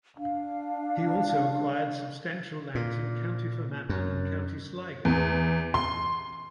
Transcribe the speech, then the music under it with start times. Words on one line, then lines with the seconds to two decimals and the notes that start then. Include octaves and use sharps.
He also acquired substantial lands in County Fermanagh and County Sligo.
0.17 D4 F5
2.75 A#2
3.89 F#2
5.05 E2
5.74 C6